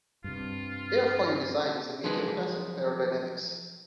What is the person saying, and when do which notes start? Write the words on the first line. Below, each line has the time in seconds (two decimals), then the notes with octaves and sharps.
Airfoil design is a major facet of aerodynamics.
0.24 G2 C3 F4
2.04 F3 F#3 G#3 B4